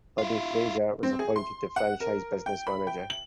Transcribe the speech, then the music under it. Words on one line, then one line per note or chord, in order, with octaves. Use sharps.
Buddy Frazier was appointed the franchise business manager.
E4 F4
C4
G#4
C6
F#5
A#4
G5
B5
G5
F#7